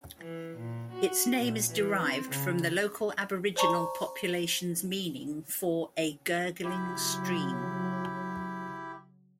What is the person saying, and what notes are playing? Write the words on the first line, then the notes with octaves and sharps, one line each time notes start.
Its name is derived from the local aboriginal population's meaning for, "a gurgling stream".
E3
A#2
F#4
A#2
E3
C4
C#3
C5 D5 A5 A#5 C#6
C#3 F#3 E4 G4